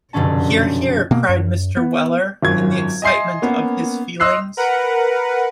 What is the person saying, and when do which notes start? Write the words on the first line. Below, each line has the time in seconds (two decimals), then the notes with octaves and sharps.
Hear, hear!’ cried Mr. Weller, in the excitement of his feelings.
0.13 F1 F#2 B2 D3 C#4 A5
1.11 B2 A#3
1.29 F#2
1.77 B3
2.43 G#1 F#2 F4 G#6
3.02 D#5 E5 G#5 C6 C7
3.42 A#3 B3 C#4
4.20 D#5 C6 E6 F#6 C7
4.57 A#4 B4 F#5